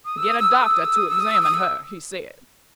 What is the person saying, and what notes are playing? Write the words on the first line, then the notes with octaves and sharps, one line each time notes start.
"Get a doctor to examine her," he said.
D#6
E6
D#6
E6
D#6
E6
D#6
E6
D#6
E6
D#6
E6
D#6
E6